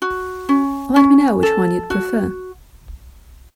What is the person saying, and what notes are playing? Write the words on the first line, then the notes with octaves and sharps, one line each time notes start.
Let me know which one you'd prefer.
F#4
C#4
C#4
A4
F#4